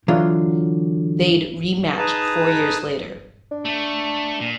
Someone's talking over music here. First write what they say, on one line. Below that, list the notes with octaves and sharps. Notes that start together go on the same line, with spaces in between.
They'd rematch four years later.
D3 E3 F#3 F4
D#4 G#4 B4 A5 A#5
D4
A3
A#2